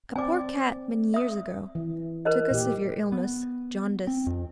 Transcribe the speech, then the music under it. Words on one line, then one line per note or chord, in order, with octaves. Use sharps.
A poor cat, many years ago, took a severe illness--jaundice.
C4 D5 G#5 D6
E5 D#6
E3
A#4 C5 D#5
A#2 G4
B3
C4
F2